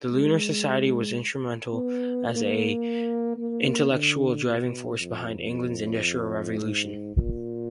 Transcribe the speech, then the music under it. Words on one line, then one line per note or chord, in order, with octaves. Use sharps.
The Lunar Society was instrumental as an intellectual driving force behind England's Industrial Revolution.
G#3
B3
A#3
A#3
D3
B2
F2
G#2
A#2